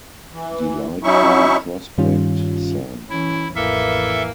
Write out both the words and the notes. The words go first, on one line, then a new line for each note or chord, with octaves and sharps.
Delightful prospect, Sam.
E3
F#3 C#4 D#4 E4 E5 C#6
G2 D#3 G3 C#4 F4
E3 C#4 E4
A1 F2 E3 A#3 A4 E5